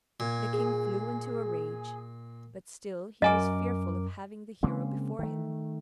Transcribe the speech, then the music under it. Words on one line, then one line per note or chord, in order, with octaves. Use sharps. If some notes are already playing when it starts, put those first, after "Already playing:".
The king flew into a rage, but still he was fearful of having the hero before him.
A#2 G#6
G#4
F#2 A#4 D#5 G#5 D6
C#3 G#3 A#3 C4
D#3 A3